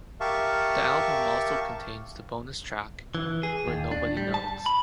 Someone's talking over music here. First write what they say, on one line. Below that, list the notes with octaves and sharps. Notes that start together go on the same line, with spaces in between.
The album also contains the bonus track "Where Nobody Knows".
G4 A#4 E5 F5 A5 C#6
E3
G#4
D#2
D4
G3
A5
B5